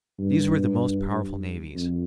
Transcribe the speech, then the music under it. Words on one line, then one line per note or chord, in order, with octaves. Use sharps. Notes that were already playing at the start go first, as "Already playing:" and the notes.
These were the most powerful navies.
G2
F2